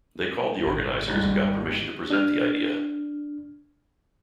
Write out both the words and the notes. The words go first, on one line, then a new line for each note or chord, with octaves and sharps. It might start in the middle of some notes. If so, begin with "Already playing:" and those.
They called the organizers and got permission to present the idea.
G#1 A#2
F2 G#2 G3
G#1
D4 F6